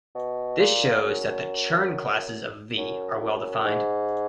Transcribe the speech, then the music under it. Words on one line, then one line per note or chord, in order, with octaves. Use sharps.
This shows that the Chern classes of "V" are well-defined.
B2
A#2
F#2
F#2
F#2
G#2